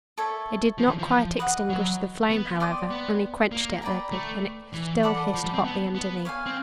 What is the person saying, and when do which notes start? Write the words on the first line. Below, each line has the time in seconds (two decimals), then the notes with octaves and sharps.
It did not quite extinguish the flame, however--only quenched it a little--and it still hissed hotly underneath.
0.18 A4 C#5 E5
0.78 F3
0.88 E3
0.99 F3
1.39 B4 D#5 F#5
1.69 F#3
2.30 B3
2.60 D5 G5 C6 D#6
2.91 B3
3.52 A#3
3.82 B4 D5 G5 A#5
4.12 A3
4.74 E3
5.03 A4 D5 F#5 B5
5.34 F3
5.44 G3
5.54 C4
5.64 B3
5.95 B3
6.25 C#5 F5 G#5
6.46 C4